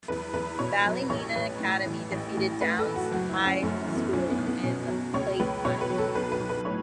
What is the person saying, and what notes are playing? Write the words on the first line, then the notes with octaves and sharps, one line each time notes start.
Ballymena Academy defeated Down High School in the Plate final.
E2 B4
E2 B4
B2 C#5
F#3
A1 C#5
A1 B4
A2
E3
A1
A1
A2 B4
A4
E3
F#4
F#1 F#4
E4
F#1
C#4
F#2 A3
E3
B3
B1 C#4
B3
B1
B3
B2 C#4
F#3
C#2 C#5
C#2 B4
B2 C#5
B4
F#3
A4
B1 B4
B4
B1
B4
A2 C#5